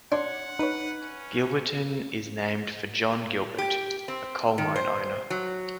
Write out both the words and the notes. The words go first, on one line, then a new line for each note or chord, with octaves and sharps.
Gilberton is named for John Gilbert, a coal mine owner.
D4 C#5 F#5 C6
D#4 B4 C#5
C#4
G4
C4
D#3
C5
F#3